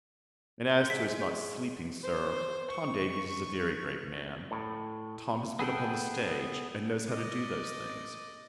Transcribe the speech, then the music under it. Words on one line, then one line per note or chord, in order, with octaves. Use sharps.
And as to his not sleeping, Sir; Tom Davies is a very great man; Tom has been upon the stage, and knows how to do those things.
G#3 F#5 B6
C5
C#6
A2
B3 G#4 A4 F#5 G5
D5 D#5